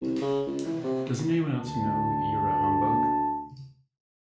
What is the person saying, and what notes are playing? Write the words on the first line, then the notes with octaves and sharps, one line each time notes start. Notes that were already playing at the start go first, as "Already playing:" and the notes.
Doesn't anyone else know you're a humbug?
C2
C#3
C#2
E3
C3
D2 A5